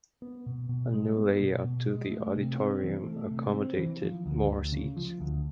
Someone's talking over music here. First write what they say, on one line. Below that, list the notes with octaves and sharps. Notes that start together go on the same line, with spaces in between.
A new layout to the auditorium accommodated more seats.
B3
B2
B2
G#3
B3
B2
B2
G#3
A3
C3
C4
E3
A3
C3
C4
E3
F3
D2
D2
C#3
F3
D2